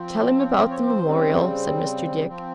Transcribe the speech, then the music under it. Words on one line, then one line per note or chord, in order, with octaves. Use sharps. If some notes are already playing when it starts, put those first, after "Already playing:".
'Tell him about the Memorial,' said Mr. Dick.
Already playing: F3 C4
C#5
E5
C#5
C5
C#3 G3 C4
F3 C4